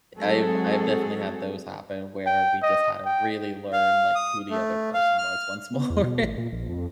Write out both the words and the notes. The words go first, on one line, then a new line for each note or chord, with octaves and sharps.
I've I've definitely had those happen, where we just had to really learn, like, who the other person was once more.
F#3 G#3 C4 F#4 G#4 A4
G5
D#5
G5
F5
D#6
A3
F5
F6
B3
E2
B2
A1
A#2
A#1
F2